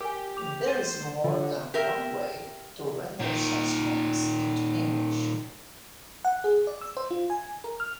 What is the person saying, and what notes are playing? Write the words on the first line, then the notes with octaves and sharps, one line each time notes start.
There is more than one way to render such names into English.
G4 A#4 G#5
D6 F7
C5 A6 D#7
D3 F4 C#5
G4 A#4 E5
A#2 D#3
F#5
G#4
D5
E6
C5
F4
G#5
A#4
F6